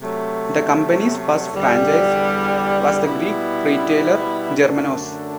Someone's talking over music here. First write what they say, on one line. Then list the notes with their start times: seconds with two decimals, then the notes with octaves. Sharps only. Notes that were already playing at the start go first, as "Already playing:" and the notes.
The company's first franchisee was the Greek retailer Germanos.
0.01 C3 F#3 A3
1.53 E2 D3 G3
3.03 B2 G3 B3 E4
4.56 F#2 D3 A3 D4